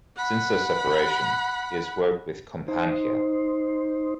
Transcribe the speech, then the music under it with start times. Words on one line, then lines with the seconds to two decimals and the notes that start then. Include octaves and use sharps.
Since their separation, he has worked with Companhia.
0.16 F#5 B5
2.68 D#4 C5